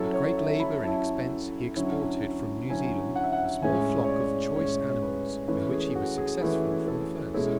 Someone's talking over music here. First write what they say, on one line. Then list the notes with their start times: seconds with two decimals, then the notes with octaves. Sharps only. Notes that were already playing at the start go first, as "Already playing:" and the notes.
At great labour and expense he exported from New Zealand a small flock of choice animals, with which he was successful from the first.
Already playing: F#3 C#4 E4 A4
0.14 C#5
0.38 E5
0.60 B5
0.83 F#3 C#4 E4 A5
1.76 D3 F#3 C#4 E4
2.69 D3 F#3 C#4 E4 G#5
3.16 F#5
3.24 E5
3.33 F#5
3.62 A2 G#3 C#4 G#5
4.04 C#5
4.09 D5
4.55 A2 G#3 C#4 C#5
4.90 C#5
5.02 B4
5.48 E3 A3 C#4 E4 B4
5.71 G#4
5.95 F#4
6.18 G#4
6.41 E3 A3 C#4 E4 B4
6.88 A4
7.34 B2 G#3 C#4 E4 A4